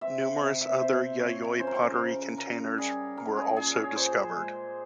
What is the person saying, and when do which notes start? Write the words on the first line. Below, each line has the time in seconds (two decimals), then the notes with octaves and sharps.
Numerous other Yayoi pottery containers were also discovered.
0.01 C4 E5
0.40 C3 E5
0.61 E5
0.80 C3 C5
1.20 F3 C#5
1.59 C#4 C5
1.67 A#4
1.75 C5
1.98 C#3
2.38 C#3 A#4
2.78 G3 G#4
3.17 C#4 A#4
3.37 G#4
3.56 A#2 G#4
3.76 C#5
3.96 A#2 C5
4.36 G#3